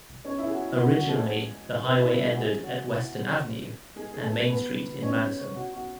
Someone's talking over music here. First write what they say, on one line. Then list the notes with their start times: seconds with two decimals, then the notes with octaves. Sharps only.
Originally, the highway ended at Western Avenue and Main Street in Madison.
0.25 C#4 C#5
0.38 E4 E5
0.47 G#4
0.52 F#4
0.65 E4
0.78 F#4
0.96 F#4
1.09 A4
1.13 G#3 G#4
1.84 B3 B4
1.97 E4 E5
2.11 B3 B4
2.24 G#3 G#4
2.32 F#4
2.37 G#3 G#4
2.64 F#4
2.90 E4
3.96 G#3 G#4
4.14 G#4
4.23 A3 A4
4.49 B3 B4
5.02 C#4 C#5
5.56 F#4
5.73 F#4